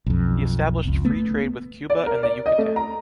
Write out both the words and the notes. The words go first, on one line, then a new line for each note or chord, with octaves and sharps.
He established free trade with Cuba and the Yucatán.
B1 F2
F#1 C#2
A3 B3
D5
A#4
D5
D#5
A3
A#5